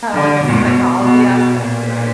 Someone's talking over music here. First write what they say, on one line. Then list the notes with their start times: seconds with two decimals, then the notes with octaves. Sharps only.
kinda like a psychology aspect to it.
0.14 D3
0.44 B2
1.02 B2
1.31 B2
1.61 A#2